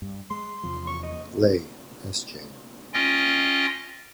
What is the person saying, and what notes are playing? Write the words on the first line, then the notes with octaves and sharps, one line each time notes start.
Leigh S. J.
G2
G#3 C6
E2 C3 F3
C#6
D#5
C#4 F4 D#5 G5